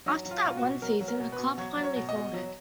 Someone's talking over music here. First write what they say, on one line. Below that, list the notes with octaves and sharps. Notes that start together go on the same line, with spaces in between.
After that one season, the club finally folded.
F#3 D#4
F#3
F4
B2 F4
F#4
B2
F#3 A#4
F#3
A#4
B2
B4
B2
F#3 C#5
F#3
C#5
B2
D#5
B2
F#3